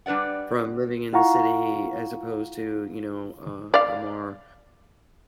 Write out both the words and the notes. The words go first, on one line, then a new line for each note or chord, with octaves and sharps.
from living in the city as opposed to, you know, uh, a more
G3 D4 B4 D5 F#5
E4 F4 F5 F#5 A#5 C#6
D5 F5